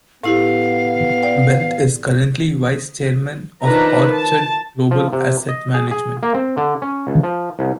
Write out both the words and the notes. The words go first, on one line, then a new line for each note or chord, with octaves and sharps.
Belt is currently Vice Chairman of Orchard Global Asset Management.
A2 B3 E4 G4 F5
D5 G5
D#3 F3 D4 B4 A#5
A5
F3
C3
D#5
G#4
G#4
A#3
C4
D3
C#4
C#2
F3
C2